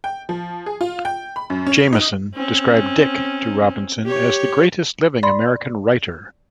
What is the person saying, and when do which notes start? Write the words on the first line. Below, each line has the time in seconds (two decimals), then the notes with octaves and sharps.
Jameson described Dick to Robinson as the greatest living American writer.
0.04 G5
0.29 F3
0.66 G#4
0.81 F4
1.05 G5
1.36 B5
1.50 F#2
1.67 C#4
1.93 D#4
2.34 C4 C#4
4.06 G4 C#5
5.23 D5 B5 C6